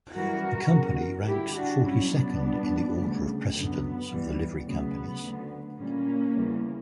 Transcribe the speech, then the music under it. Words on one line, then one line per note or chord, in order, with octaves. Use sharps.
The Company ranks forty-second in the order of precedence of the Livery Companies.
F#2 E3 G3 F#4 A#4
E2 C#3 F#3
G2 D3 G3 E4 G4
D4 F#4
G2 F#3 C#4 E4
B3 D4
A#2 G3
D2 C#3 G3
F#2 D3 F#3 B3
G2 E3 G3
D2 C#3 F#3 B3
D2 D3 F#3
A#2 G3 A#3 C#4
E2 C#3 E3 G3